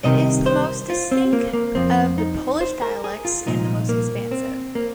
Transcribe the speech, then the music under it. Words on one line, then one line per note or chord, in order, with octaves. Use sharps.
It is the most distinct of the Polish dialects and the most expansive.
C2 C3 D#3 D#5
C5
F4
C4
A#3
A#3
F2 F3 C4
D#4
C5
A#4
G#4
F4
C2 A#2 F3 D#4
A#3
C4
A#3